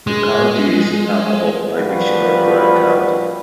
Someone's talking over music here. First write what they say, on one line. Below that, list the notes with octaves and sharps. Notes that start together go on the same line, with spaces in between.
The county is an alcohol prohibition or dry county.
G#3
A#1 F3 G3 F#4 B4